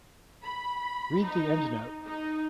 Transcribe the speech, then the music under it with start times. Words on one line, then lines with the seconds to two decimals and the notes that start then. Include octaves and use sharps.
Read the endnote.
0.42 B5
1.23 D#4
2.04 D#4